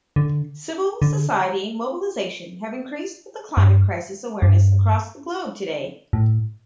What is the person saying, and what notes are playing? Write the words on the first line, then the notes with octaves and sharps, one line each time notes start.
Civil society mobilization have increased with the climate crisis awareness across the globe today.
D3
D3
G2
G2
A2